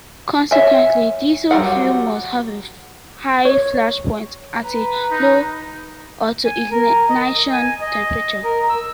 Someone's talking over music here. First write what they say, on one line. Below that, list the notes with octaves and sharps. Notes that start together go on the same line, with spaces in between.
Consequently, diesel fuel must have a high flash point and a low autoignition temperature.
C#5 E5 G#5
F#3 G3 G#4 F#5
C#5
B4 A#5
D#4
G#5
A#4
D#5
G#5
D#5
A#4
E6